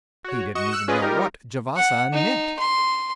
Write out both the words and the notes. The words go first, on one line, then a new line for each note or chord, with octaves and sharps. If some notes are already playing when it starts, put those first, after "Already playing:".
He didn't even know what Javasan meant.
F#4 C#5
F#4 D#5 C#6 C#7 E7
E6 F#6 C#7 E7
C#4 F4 G#4 B4 D5 D#5
G3 D#4 F4 G4 A#4
F#5
D#4
C6